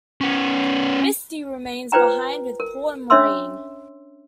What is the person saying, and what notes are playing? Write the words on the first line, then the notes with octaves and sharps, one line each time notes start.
Misty remains behind with Paul and Maureen.
B3 C#4
F4 B4 C5 D5 G5 A#5
A#4
C#4 D4 C#5 E5 C6 E6